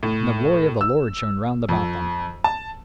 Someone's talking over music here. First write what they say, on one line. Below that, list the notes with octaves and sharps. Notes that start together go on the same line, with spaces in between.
And the glory of the Lord shone round about them!
A2
E6
F2
A5